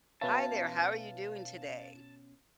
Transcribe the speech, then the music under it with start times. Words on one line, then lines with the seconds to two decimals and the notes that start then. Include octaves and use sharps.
Hi there, how are you doing today?
0.21 B2 C#4 B4 E5 F5 A5